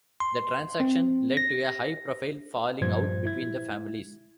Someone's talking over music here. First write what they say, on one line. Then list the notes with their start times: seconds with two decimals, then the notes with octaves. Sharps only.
The transaction led to a high profile falling out between the families.
0.20 C6
0.80 C4
1.37 A#6
2.81 G2 A#2 F3 C5 G#6
3.25 E4 G#6